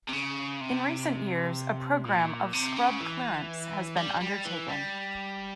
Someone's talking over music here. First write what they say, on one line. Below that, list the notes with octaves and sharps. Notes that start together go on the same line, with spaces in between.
In recent years a programme of scrub clearance has been undertaken.
C3
C#3
C3
A#2
C3
C#3
E3
G3
G3
E3
G3